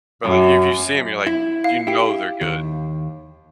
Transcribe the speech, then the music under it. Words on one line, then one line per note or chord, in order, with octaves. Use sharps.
but like if you see him, you're like, you know, they're good.
F#2
E4
F5
E4 G4
D#2